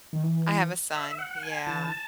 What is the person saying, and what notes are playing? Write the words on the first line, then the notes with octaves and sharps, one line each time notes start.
I have a son. Yeah.
D#3
E3
E5
E5
F#5
F#5
G#5
E3 A5